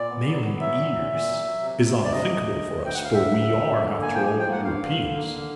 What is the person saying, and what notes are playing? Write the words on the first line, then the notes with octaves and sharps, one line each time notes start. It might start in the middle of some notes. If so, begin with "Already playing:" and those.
Nailing ears is unthinkable for us, for we are, after all, Europeans.
Already playing: A#2 D5
B3
F#3
B3
F#3 E5
A#2
A#2
A#2
F#3
F#3
C3
C3
D2
D5
C3 D#5
D2
D2
D2
D2
G5
D2 F#5
F5
D2 E5
D2
D2
F3
D3
A#3 G#5
F3 G5
G#5
F3
G5
A#3 F#5
G2 F5
G2
D3
A#3
D3